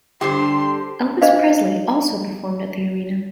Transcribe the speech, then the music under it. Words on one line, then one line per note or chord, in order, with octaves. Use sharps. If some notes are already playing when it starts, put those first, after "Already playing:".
Elvis Presley also performed at the arena.
G2 D3 G4 C5 C6
D4 C5 D#5 F5